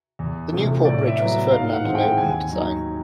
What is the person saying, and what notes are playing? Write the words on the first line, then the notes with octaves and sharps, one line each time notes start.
The Newport bridge was a Ferdinand Arnodin design.
E2
C3 F3 A3 C#4
A2 D5
E5
F#3 B3
G#2 F5
F#5
E3 G#3 C4
G5
D#2 G#5
D#3 F#3